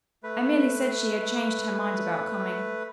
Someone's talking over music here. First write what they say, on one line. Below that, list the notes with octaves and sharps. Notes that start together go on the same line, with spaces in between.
"I merely said she had changed her mind about coming."
A3 B4